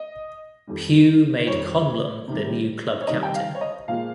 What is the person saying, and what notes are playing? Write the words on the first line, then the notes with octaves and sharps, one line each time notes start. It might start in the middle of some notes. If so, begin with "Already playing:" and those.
Pugh made Conlon the new club captain.
Already playing: D#5
F2 D#3 G3
F2 D#3 G3 C#5
C3 D#3 G3
C#5
C3 D#3 G3 D#5
G5
F5
C#5
D#5
A#2 F3 G#3 F5